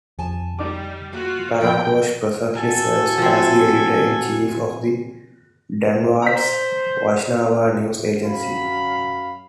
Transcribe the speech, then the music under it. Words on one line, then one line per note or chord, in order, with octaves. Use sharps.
Praghosh presently serves as the editor in chief of the Dandavats Vaishnava news agency.
F2 F3 G#5 A5
G3 D#4 D5 D6
A#3 F4 F#4
B1 F3 D5 G5 B5
D#2 E3 F#4 A4 G#5
F3 C4
C5 A#5 B6
F#2 F5 B5